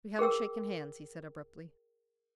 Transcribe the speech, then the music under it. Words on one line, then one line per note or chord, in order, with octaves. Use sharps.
"We haven't shaken hands," he said, abruptly.
G#4 A#4 G5 E6